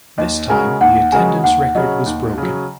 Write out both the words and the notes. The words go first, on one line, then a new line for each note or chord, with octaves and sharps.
This time the attendance record was broken.
D#2 D#5
C#3 G#3 F#4 A#4 G#5
D#2 F#5
C#3 G#3 F#4 A#4 G#5
D#2 F#5
C#3 F#3 D#5
D#2
C#3 F#3